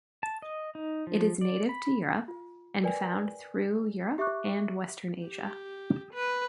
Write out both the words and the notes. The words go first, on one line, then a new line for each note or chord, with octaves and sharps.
It is native to Europe, and found through Europe and Western Asia.
A5
D#5
D#4
F3
D5
B5
F4
A#4 B4 D5 G5 G#5
G4 E5 C#6 D6 F#6
G4
B4